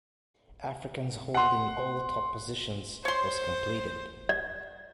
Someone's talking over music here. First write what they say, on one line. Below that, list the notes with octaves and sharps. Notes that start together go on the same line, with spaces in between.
Africans holding all top positions, was completed.
F#5 C6
C5 C#5 C6
D5